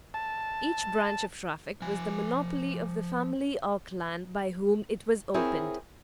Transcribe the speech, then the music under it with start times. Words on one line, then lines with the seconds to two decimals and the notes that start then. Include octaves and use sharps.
Each branch of traffic was the monopoly of the family or clan by whom it was opened.
0.14 A5
1.82 F3 G#5
5.34 C4 E4 G#4 A#4 C5 C#5